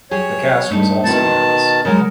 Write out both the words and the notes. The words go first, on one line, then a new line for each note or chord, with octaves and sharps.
The cast was also nervous.
F#3 G4 G#4 C#5
G2 A3 D#4
B2 D#3 A3 C4 E4 A5
C5
C#3 F#3 G#3 A#4